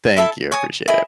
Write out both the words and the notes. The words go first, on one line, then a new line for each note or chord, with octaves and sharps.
Thank you. I appreciate it.
E4 A4 E5 A5
C#5 G#5 D#6
E4 G#4 D#5